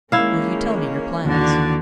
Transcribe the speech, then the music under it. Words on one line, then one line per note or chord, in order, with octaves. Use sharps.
"Will you tell me your plans?"
D#3 G#3 A#3 C#4 E4 F5
D#2 D3 E3 F#4 D5